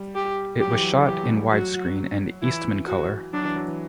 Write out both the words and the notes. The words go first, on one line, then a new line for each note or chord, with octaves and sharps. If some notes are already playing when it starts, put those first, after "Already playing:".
It was shot in widescreen and Eastmancolor.
Already playing: G3
G4
F#3 G4
E3
F#3
F#3
E3 G4
F#3
A3
G3
G3
F#3 F#4
E3 E4
F#4
F#3 D4
E3
F#3
E3